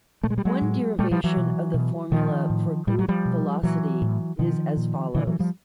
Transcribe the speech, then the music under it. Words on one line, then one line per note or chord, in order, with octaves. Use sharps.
One derivation of the formula for group velocity is as follows.
A#2 A3
G#3
G3
F#3 G#3
A2
A#2 G3 A3
F3 G3
E3 F#3
B2
B2
A#2 D#3 F3
A2
A2 G3
F#3
F3 G3
B2
A#2 E3 F#3
A2
B2 D#3 F3
A#2
A#2 D3 E3
E3 F#3
F3 G3